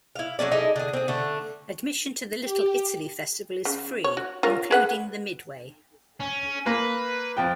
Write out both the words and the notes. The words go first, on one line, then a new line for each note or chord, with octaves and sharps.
Admission to the Little Italy Festival is free including the Midway.
E4 F5
F#3 A#3 C#4 D5
D#4 E4 G#4 A4
D3 G#4
C4 G#4
D3 A3
G4
C#3
C#5
F#4
F4 A#4 C#5
G#4 B4 F#5
C#4
A#3 B4
F2 G5